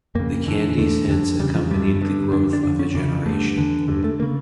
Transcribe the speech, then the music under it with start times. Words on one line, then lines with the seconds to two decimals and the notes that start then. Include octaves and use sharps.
The candies hence accompanied the growth of a generation.
0.15 F2 C#3 A#3
0.46 E2 D3
0.78 E2 D3 A3
1.08 F2 D3
1.39 E2 C#3 G3
1.55 F3
1.70 G2 D3 G3
2.02 G2 D3
2.32 F2 D3 D4
2.53 D4
2.63 F2 D3 D4
2.79 C#4
2.94 E2 C#3 D4
3.26 G2 D3 A3
3.57 E2 D3
3.88 D3 G3
3.92 G2
4.04 A3
4.20 C#3 A#3